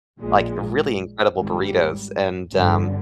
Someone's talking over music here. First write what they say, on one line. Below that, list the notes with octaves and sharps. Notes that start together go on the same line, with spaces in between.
like, really incredible burritos, and, um,
A#1 A#2 G#3
G#1 G#2 G3
G1 G2 D3